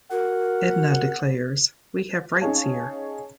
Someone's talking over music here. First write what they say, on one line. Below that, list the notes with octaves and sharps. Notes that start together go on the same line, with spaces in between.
Edna declares, We have rights here.
F#4 A#4 F#5
C#4 D#4 G#4 C#5 F5 A5